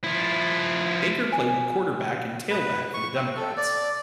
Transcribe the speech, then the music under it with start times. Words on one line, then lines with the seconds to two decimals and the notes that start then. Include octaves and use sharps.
Baker played quarterback and tailback for the Democrats.
0.04 F3 E4
1.32 G#5
2.50 B4
2.94 C#6
3.15 C4
3.36 A4
3.57 D5